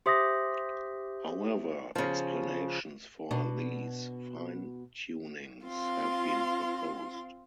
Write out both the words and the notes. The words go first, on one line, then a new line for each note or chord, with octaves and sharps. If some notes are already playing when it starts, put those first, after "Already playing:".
However, explanations for these fine-tunings have been proposed.
G4 C5 E5 C6 D#6 A#6
C#3 F3
B2 D4
C4 F4 F5 C6